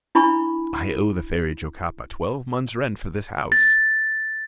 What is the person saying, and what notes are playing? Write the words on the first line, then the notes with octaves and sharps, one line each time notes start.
I owe the Fairy Jocapa twelve months rent for this house.
D4 E4 B5 C#6
A6